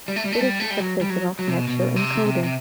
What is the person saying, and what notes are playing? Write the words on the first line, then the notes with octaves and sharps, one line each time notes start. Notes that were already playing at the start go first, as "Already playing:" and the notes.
It is the successor of NetShow Encoder.
G3
A3
G3
A3
G3
A3
G3
F#3
G3
F#3
F#3
C3
B2
B2
C3
C3
C3